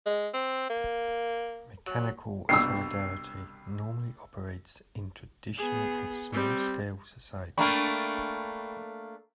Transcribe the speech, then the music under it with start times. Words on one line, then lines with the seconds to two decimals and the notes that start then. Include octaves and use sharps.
Mechanical solidarity normally operates in "traditional" and small scale societies.
0.06 G#3
0.34 C4
0.70 A#3
1.87 F#3
2.49 C2 G2 B2 E6 C7
5.58 B3 G#4
6.32 G3 C4
7.58 A3 A#3 D4 G5 B5 C#6